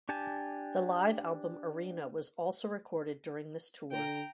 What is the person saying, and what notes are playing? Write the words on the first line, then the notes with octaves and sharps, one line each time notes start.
The live album "Arena" was also recorded during this tour.
D4 G4 G#5 A5
D3 G5 A#5